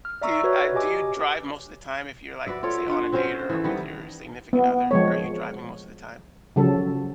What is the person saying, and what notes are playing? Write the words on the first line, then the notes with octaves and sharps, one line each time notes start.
Do, uh Do you drive most of the time if you're, like, say, on a date or with your significant other? Are you driving most of the time?
F6
D5 E5 A#5 C#6 E6
F#4 B4 C#5
G4 D#5 G#5 D6
F#4 B4 D5 E5
F4 A4 C#5 D5
A3 D4 F4 F#5
C4 C#4 F#4 C5
E3 A3
D#3 G3 B3
B3
F3 G#3 C#5
C#3 F3 F#3 A4